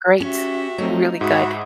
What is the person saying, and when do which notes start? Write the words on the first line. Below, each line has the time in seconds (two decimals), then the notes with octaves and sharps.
great, really good.
0.20 C#4 F#4 G4 E5
0.78 F#3 A3 C4 D#4
1.21 G#2 F#4 E5 F#5 B5 D#6